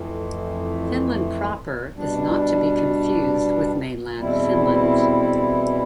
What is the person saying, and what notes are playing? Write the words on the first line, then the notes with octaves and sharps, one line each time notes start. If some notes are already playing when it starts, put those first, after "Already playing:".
Finland Proper is not to be confused with Mainland Finland.
Already playing: F2 E3 A3
B2 G3 D4
E2 B2 G3 C4 E4